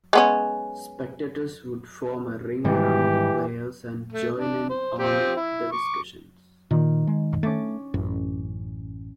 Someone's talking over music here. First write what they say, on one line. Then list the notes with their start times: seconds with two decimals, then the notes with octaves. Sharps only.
Spectators would form a ring around the players and join in on the discussions.
0.13 G#3 B3 C#4
2.64 G#2 D#3 E3 G3 G4
4.13 A3
4.36 D4
4.69 C5
4.99 F3 C4 G4
5.36 E4
5.72 C#6 D6
6.71 A#2 D#3
7.07 G#3
7.43 A3 C#4 D6 A6
7.94 A1 F#2